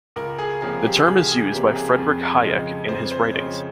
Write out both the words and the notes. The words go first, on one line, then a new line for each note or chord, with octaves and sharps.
The term is used by Friedrich Hayek in his writings.
C#2 A#4
G#4
C3 F3 A#3 C#4 G#4
G4
C#2 G#4
G#4
C3 F3 A#3 C#4 G4
G#4
F2
C#3 F3 G#3
F2 C5
C5
C#3 F3 G#3 C#5